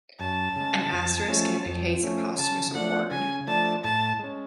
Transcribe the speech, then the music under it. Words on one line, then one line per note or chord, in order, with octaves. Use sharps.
An asterisk indicates a posthumous award.
F#2 A5
C#3 G#3
F2
F3 A3 C#4
F2
F3 A3 C#4
C#3 A5
F3 A3 D4 F#5
C#3 G#5
F3 A3 D4 A5
A2 A5
G#3 C#4